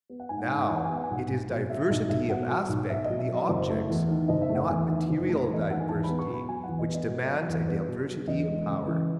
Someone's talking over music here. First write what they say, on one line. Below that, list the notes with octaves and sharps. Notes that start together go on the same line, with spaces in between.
Now, it is diversity of aspect in the objects, and not material diversity, which demands a diversity of powers.
B3
F#5
G#2 G#5
F#5
G#2 G#5
F#5
E3 G#5
F#5
B3 G#5
F#5
G#5
B1 F#5
B1
B2
F#3 E5
E5
B1 D#5
B1 E5
B2 F#5
F#3
B1
B1 E5
D#5
B2
E5
F#3 D#5
F#1 E5
A3
E2
D#3
F#1 D#5
E5
A3
F#5
E2 G#5
D#3
F#1
A3
E2 D#5
E5
D#3 F#5
G#5
E2 A5
B5
B3
C#6
B2 B5
F#3 G#5
E2 F#5
D#5
B3
D#5
B2
F#3
E2
B3
B2
F#3
E2 D#5
G#3
C#3
E3